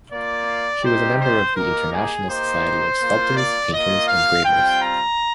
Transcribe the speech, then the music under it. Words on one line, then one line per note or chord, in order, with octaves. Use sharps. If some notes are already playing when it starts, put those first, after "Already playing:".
She was a member of the International Society of Sculptors, Painters and Gravers.
A#3 F4 D5
G3 C4 D#4 G4 C5
C5
A#3 D#4 G4 A#4
G#4
A#3 D#4 G4 C5
A#3 F4
D5
A#3 F4 D#5
F5
G3 C4 F4 G5
A#5